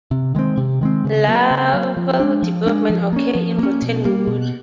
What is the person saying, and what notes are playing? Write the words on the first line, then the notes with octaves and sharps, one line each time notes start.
Larval development occur in rotten wood.
C3
D#3 G#3 C4
C3
D#3 G#3 C4
C#3
F#3 A#3
C#3
F#3 A#3
F3
G#3 B3 D4
F3
G#3 B3 D4
F3
A#3 C#4
F3
A#3 C#4
B2
G3 A#3
B2